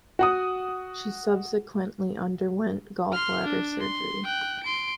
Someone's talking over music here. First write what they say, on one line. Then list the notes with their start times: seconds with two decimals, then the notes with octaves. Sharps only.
She subsequently underwent gall bladder surgery.
0.19 F#4 F#5 D#6
3.12 C6 F6
3.44 D4
3.80 C6
4.25 G5 F#6
4.63 C6 D7